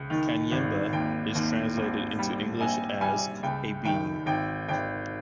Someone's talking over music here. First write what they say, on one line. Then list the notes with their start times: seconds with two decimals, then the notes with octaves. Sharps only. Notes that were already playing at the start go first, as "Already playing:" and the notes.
Kanyemba is translated into English as "a bean".
Already playing: C#2
0.10 D#3
0.52 G#1
0.92 D#2 G5
1.35 D#2
1.77 G#1
2.19 G3
2.60 A#1 G#5
3.01 G3 G#5
3.43 C#2 G5
3.85 D#3 G5
4.26 G#1 G5
4.68 G#1 G5